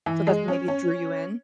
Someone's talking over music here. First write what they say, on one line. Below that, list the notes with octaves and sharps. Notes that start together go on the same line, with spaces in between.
so that's maybe drew you in?
E3
G#3
C#4
C#4